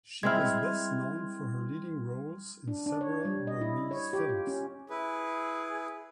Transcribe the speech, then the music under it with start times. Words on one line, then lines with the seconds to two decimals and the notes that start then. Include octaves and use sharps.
She is best known for her leading roles in several Burmese films.
0.23 G3 G#3 C4 E4 C6 F6 G#6
2.68 D4
2.86 D4
3.01 C#5
3.25 G3
3.47 D#5
3.61 E4
3.91 C#5
4.13 G4
4.29 F4
4.47 C#4
4.90 E4 G#4 B4